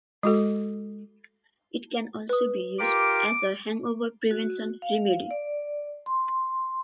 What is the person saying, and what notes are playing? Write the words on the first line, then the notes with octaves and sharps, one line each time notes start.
It can also be used as a hangover prevention remedy.
G#3 F#4 A4
B4 D#6
F4 G4 A#4 D6
F#4
F5
D5
C6